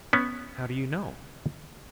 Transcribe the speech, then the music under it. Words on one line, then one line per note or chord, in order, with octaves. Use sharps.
"How do you know?"
B3 C#4